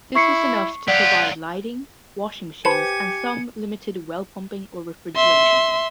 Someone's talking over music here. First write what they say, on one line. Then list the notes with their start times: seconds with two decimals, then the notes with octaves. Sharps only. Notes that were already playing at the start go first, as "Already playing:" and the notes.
This was enough to provide lighting, washing machines and some limited well-pumping or refrigeration.
0.15 E4 C#6 C7 C#7
0.88 F#3 F4 G4 D5 F#5
2.65 G4 B4 C5 G#5 A5 C#7
5.16 E5 C6